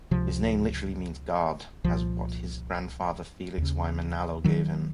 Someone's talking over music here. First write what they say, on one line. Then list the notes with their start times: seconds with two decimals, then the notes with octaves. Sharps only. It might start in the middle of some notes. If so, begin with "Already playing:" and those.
His name literally means "guard" as what his grandfather Felix Y. Manalo gave him.
0.11 C#2 C3 F3
1.84 C2 A#2 F3
3.58 D#2 C#3
4.44 D#3 F#3